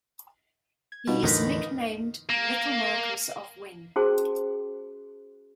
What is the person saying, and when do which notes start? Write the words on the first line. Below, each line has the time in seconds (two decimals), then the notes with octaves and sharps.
He is nicknamed "Little Marquis of Wen".
0.92 G#6
1.08 B2 G3 D#4 F4
1.24 E2 A2 D3 D#3 D#4 B4 D#6
2.30 A#3
3.96 C#4 F#4 G#4 C5 A5 C6